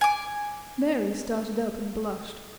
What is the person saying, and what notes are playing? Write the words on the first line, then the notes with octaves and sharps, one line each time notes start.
Mary started up and blushed.
G#5 D6